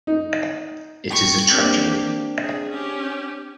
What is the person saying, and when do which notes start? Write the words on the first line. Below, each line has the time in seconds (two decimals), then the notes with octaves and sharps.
It is a tragedy.
0.07 D#4
1.10 G5 C#6
1.51 A#3 C4 D4 G4 G5
2.41 G#4
2.70 C#4 G4